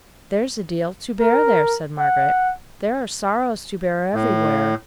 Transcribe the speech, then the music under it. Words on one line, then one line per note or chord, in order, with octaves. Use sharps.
'There's a deal to bear there,' said Margaret. 'There are sorrows to bear everywhere.
A#4
F#5
A2